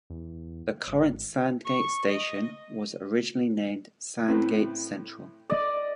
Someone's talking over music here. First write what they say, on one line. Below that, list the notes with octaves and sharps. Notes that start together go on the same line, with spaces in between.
The current Sandgate station was originally named Sandgate Central.
E2
G#1
C#6
D#5
A2 C4 B4
D5 D#5